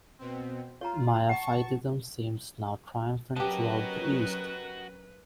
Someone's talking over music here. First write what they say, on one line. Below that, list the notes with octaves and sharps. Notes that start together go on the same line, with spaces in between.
Miaphysitism seemed now triumphant throughout the East.
B2 C4
F4 C#5 A#5
F#5 A5 C#6
F#3 C#4 F#4 G4 A#4 B4 D#5 A5